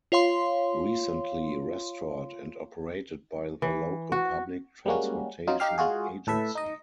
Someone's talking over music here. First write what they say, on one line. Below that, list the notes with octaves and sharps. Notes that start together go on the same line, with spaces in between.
Recently restored and operated by the local public transportation agency.
F4 C#5 F5 C6
E3
F#4
G3 G#3 A#3 C#4 F#4
F#3 D#4 F4
D#4 G4 F5
G#3 F4 F#4 G#4
A2 A4 B4 E5
D#4 D#5